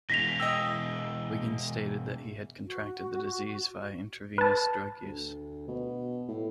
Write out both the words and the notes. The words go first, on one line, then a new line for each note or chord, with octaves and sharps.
Wiggins stated that he had contracted the disease via intravenous drug use.
B2 E3 G#3 A#6 B6 F7
D#5 G5 E6
F#4
B4 A5
D2
B2
A2